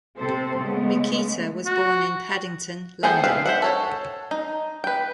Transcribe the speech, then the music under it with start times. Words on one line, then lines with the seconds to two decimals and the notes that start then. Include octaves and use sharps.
Miquita was born in Paddington, London.
0.18 C3 C4 A4 C5
0.60 C#3 G#3 A3 B3
1.65 F#4
3.03 B3 G#4 A4 C5 G5
3.24 C4 B4 F5
3.46 C5 E5 F#5
3.62 A4 C#5 F#5
4.31 D#4
4.84 B4 G5